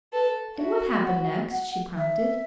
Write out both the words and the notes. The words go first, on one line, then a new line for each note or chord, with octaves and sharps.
"And what happened next?" she prompted.
A4 B4
F#4 E5
F#5
F#5
E5